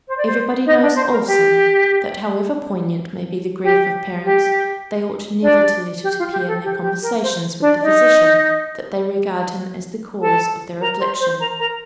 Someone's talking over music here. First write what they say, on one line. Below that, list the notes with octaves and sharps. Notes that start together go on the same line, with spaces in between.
Every body knows, also, that however poignant may be the grief of parents, they ought never to let it appear in their conversations with the physician, that they regard him as the cause of their affliction.
C5
D5
C5
D#4 D#5
D4 D5
C5
A#4
G4
G4
G4
D4 D5
G4
F4
G4
A4
G4
G4
A#4
C5
D4 D5
D#4 D#5
A4 A5
A#4 A#5
C5 C6
C5 C6
A#4 A#5
A#4 A#5